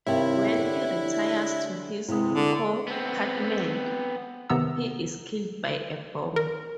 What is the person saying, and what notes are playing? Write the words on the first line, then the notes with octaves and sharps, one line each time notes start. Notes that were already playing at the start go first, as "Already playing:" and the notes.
When he retires to his compartment, he is killed by a bomb.
G2 C3 D#3 E4 G4 C#5 G5
D3 D4
C3 G#3 B3 E4 D#6
D3 G#3
B3 C4
C3 D#3 B3 A#5 E6
A#4